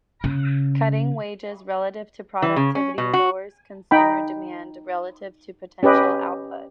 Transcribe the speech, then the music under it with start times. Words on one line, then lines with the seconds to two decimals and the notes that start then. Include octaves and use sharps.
Cutting wages relative to productivity lowers consumer demand relative to potential output.
0.24 C#3
2.42 E3
2.56 C#3
2.75 C#4
2.98 B2
3.13 F#4
3.91 D#4 G5 B5
5.83 C#4 G4 B4 D#5